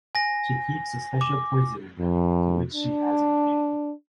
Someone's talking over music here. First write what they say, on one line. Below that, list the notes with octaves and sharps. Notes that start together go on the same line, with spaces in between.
She keeps a special poison in them, to which she has an immunity.
G#5 A#6
D6
F2
D4